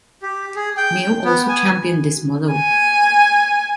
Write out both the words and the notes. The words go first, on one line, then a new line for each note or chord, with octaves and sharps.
Mill also championed this model.
G4
G#4
G5
B3
G#5
G#5